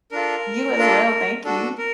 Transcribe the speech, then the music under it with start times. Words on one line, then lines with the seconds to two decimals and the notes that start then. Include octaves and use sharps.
You as well, thank you.
0.12 D4 F4 A4 A#4
0.78 D4 F4 A4
1.44 D4 F#4 A4
1.78 A#4